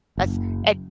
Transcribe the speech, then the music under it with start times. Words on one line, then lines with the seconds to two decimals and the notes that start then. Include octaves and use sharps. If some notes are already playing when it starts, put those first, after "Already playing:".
that's eh
0.18 F#1